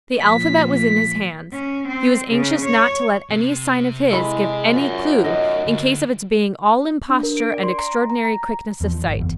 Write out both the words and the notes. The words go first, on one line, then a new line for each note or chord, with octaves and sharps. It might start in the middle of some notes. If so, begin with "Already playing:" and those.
The alphabet was in his hands; he was anxious not to let any sign of his give any clue in case of its being all imposture and extraordinary quickness of sight.
A#2 F3 B6
C#4
C4
C#3
C#5
C3
G#3 E4 A4 B5
F#2 F4 D5 E5
A3 D#4 D#5
D2
D4
A#4
D7
D5
C6
A#5
A#5
A#5
E2 F3
G#1
F#1 E2